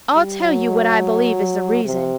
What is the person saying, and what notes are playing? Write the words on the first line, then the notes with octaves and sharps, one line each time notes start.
I'll tell you what I believe is the reason.
G3
F#3
C3